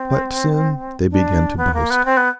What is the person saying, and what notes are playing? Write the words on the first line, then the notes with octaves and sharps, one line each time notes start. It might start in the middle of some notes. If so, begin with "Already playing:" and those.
But soon they began to boast.
Already playing: C4
D4
B3
A#3
B3
C4
B3